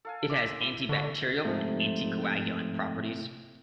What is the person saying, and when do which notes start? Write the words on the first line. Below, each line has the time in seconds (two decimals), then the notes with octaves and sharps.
It has antibacterial and anticoagulant properties.
0.05 A4 F5 G#5
0.30 E5 C6 D6
0.61 E4
0.89 D3 A4 C#5 C#6
1.45 G#2 C3 F3 A3